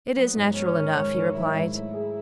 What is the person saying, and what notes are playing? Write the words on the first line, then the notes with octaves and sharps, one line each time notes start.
"It is natural enough," he replied.
F#3 B3
G#2
F#3 C#4
D#3
G#2
D#3
F#3 E4
G#2
A3 E4
G#4